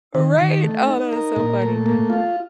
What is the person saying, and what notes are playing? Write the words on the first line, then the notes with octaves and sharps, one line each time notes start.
Right? Oh, that is so funny.
D#3
D#3
A3
D#4
A#4
A#2
A3
A#3
F4